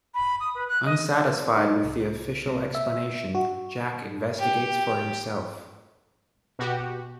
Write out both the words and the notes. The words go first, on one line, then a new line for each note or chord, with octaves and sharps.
Unsatisfied with the official explanation, Jack investigates for himself.
B5
D#6
B4
F#6
D#5
D#4
C2
C3
E5
F#4
G4 G5
B2 F#4 G4